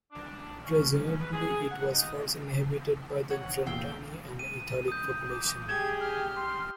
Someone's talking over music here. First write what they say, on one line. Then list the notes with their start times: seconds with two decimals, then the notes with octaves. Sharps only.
Presumably, it was first inhabited by the Frentani, an Italic population.
0.12 D4
0.64 C#4
0.93 C#4
1.19 B4
1.33 G#4
1.70 F#5
1.92 D#4
3.31 C#5 F#5
3.66 E2 A#2 F5 G5 E6
4.39 D#7
4.88 D#6 G6
5.30 D6
5.68 G4 G#4 G#6
6.01 F6
6.36 C6